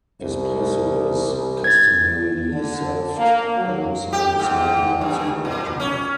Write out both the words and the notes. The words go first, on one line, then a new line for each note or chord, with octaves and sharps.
Espresso is customarily served alongside a small glass of water.
C2
G#6 A6
D3
A#3
F#3
G4
G#2
G2
A#2
C#4